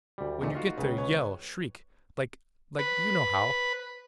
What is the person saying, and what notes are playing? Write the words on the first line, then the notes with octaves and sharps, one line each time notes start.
When you get there, yell, shriek--like-- like--you know how!
D2 G3
E2 A#2 A3 D#4
F4 F#4 F5
C#2 C#3 B4
B4 C#5
B4